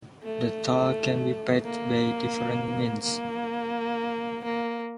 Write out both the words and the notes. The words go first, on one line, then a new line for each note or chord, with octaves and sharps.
The toll can be paid by different means.
A3
A#3
A#3
A#3